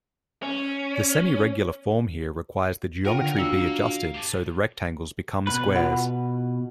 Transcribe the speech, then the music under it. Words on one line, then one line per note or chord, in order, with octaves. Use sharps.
The semiregular form here requires the geometry be adjusted so the rectangles become squares.
C#4
F4 A#4 C#5 F#5 G5 D#7
D3
D4 F4 F#4 F5 A#5 E6 C#7
G4 A4
B2 B4
F4 F#5 B5